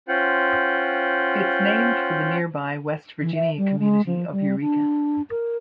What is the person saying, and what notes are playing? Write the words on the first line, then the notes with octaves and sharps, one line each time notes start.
It's named for the nearby West Virginia community of Eureka.
C#4 F4 C5 F#5 G5
E3
E5
G3
G#3
F3
G3
D4
A#4